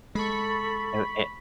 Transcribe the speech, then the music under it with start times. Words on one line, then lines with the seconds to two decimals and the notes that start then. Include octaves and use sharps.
Er, it
0.15 G#3 A4 B5 C#6